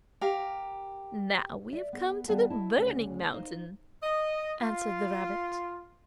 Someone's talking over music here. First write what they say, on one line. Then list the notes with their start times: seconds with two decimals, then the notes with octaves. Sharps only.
"Now we have come to the 'Burning Mountain,'" answered the rabbit.
0.21 G4 A#4 F5
1.73 D5 E5
1.93 B3 A4 B4
2.28 D#3 G3 B3 G#4 F5 A5
2.50 E4 D#5 A5
2.77 D2 C#3 C#4 F#5
3.33 D#4 C5 F5
4.03 D#5
4.60 F4